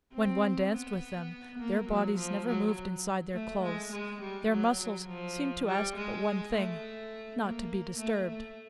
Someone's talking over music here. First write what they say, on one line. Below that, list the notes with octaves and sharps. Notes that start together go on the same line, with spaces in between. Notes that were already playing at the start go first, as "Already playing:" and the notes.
When one danced with them their bodies never moved inside their clothes; their muscles seemed to ask but one thing--not to be disturbed.
C4
B3
A#3
F#3
F3
F#3
A3
G#3
G#3
G3
F#3
F#3
F3
G3
G#3
A3
A#3
A3
A3